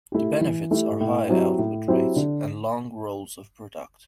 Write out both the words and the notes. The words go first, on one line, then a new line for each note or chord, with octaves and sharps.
The benefits are high output rates and long rolls of product.
A3 E4 G4
E3
A3 E4 G4
A2
F#3 C4 E4 G4
A2
F#3 C4 E4 G4
D3